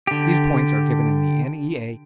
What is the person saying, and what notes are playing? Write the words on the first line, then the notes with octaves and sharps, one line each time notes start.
These points are given in the N.E.A.
D3 G4